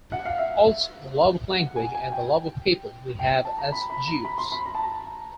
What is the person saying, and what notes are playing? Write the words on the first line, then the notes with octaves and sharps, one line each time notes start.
Also, the love of language and the love of people we have as Jews.
F#5
F5
E5
F#5
G#5
G#5
G5
G5
A5
A#5
B5
B5
A#5
B5
C6
B5
A#5
A5
A#5